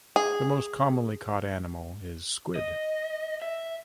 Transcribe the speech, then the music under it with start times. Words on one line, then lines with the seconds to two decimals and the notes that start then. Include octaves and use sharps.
The most commonly caught animal is squid.
0.16 G#4
2.56 D#5
3.42 E5